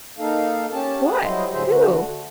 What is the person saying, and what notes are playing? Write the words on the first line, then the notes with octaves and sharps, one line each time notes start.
"What? who?"
A#3 D#4 A4 F5
C#4 G4 A5
A3 G#4 F#5
F#3 G3 E4 C5 D#5
A2 D3 F#3 G#4 C5 E5
D3 A3 F#4